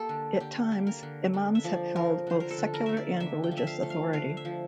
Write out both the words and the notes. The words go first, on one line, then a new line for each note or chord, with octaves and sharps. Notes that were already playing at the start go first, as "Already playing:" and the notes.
At times, imams have held both secular and religious authority.
Already playing: A#3 G4 A4
D3
D3 G4
A#3
A#4
D3
D3
E5
F3 D5
F3 A#4
D3 C5
A#4
A4
D3
A#4
A#3 E5
D5
D3 E5
G5
F3
E5
F5
A3
F5
D3 F5
E5
F3